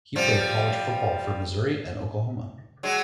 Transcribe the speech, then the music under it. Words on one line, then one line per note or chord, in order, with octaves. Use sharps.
He played college football for Missouri and Oklahoma.
F3 G3
F#3 G#3